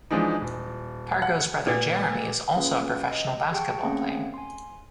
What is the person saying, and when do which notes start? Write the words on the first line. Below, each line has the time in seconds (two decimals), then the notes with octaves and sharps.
Pargo's brother, Jeremy, is also a professional basketball player.
0.11 E3 F3 G#3 D4 D#4
0.41 D#1
1.22 F#5
1.67 A#2 A4 B4 D5
2.56 A#3 C#4 F4 G#4 B4
3.10 D#5
3.52 G4 G#4 F#5 G5 A5 C#6
3.82 A3 A#3 C4 C#4 G#4 F#5
4.34 G#5 C6